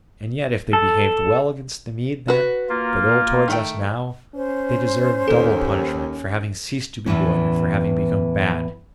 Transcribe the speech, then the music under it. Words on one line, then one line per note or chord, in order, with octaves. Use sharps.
And yet if they behaved well against the Mede then, but ill towards us now, they deserve double punishment for having ceased to be good and for having become bad.
A4
F#4 B4
A#3 F4
D#3 A3 G5
C#4 C5
D#2 A4
E2 A2 E3 C#4